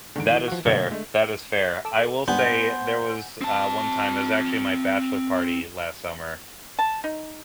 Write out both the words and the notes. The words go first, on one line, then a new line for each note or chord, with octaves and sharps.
That is fair that is fair, I will say there was, uh, one time, it was actually my bachelor party last summer,
E2 G#2 D3 D7
E3 E4
F3 F#4
F#2 B2 D3 A3 A#3
D3 G#3 A3
A4 D6 E6
G#2 G3 B3 D4 C5 F#5 G#5 G6
C4 A5
A5
D#4